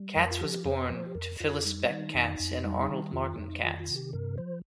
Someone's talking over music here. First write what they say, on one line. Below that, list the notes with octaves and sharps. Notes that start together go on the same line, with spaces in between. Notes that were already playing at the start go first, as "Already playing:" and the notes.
Katz was born to Phyllis Beck Katz and Arnold Martin Katz.
Already playing: G3
F2 A#4
F4
F3 G4
F2 C5
F3 C5
G4
F2 A#4
F2 F4
G3 D#4
D#3 D#4
F2
F2
G3
D#3
F2 F4
F2 D#4
D#3 F4
F4
C3
G4
G2 A#4
F3 C5